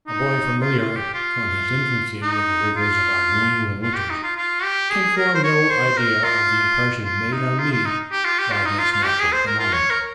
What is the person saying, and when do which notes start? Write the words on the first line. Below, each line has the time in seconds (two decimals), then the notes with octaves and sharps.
A boy familiar from his infancy with the rigors of our New England winters can form no idea of the impression made on me by this natural phenomenon.
0.07 D#4
0.61 F4
0.79 F4
0.96 G4
1.14 F4
2.22 D#4
2.76 F4
3.82 F4
3.96 G4
4.10 D#4
4.23 F4
4.37 F4
4.63 G4
4.90 G#4
5.17 A#4
5.35 C5
5.44 C#5
5.70 C5
5.97 A#4
6.24 F4
7.05 F4
7.32 D#4
7.59 F4
7.72 F4
7.85 D#4
8.12 G4
8.25 F4
8.39 G4
8.52 F4
8.65 D#4
8.78 F4
8.92 F4
9.06 G4
9.20 G#4
9.32 C5
9.47 A#4
9.60 F4
9.73 C#5
9.91 A#4